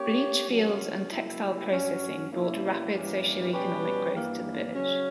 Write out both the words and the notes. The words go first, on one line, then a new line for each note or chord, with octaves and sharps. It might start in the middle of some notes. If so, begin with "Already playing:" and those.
Bleachfields and textile processing brought rapid socioeconomic growth to the village.
Already playing: A#3 C#4 G4 C#5
C#3 F#3 A#3 C#4
C#3 F#3 A#3 E4
G2 F#3 C#4
B2 A#3 C#4 E4
G2 E3 G3 A#3 C#4
B2 G3 C#4 G4 B4
G2 E3 A#3
C#3 F#3 C#4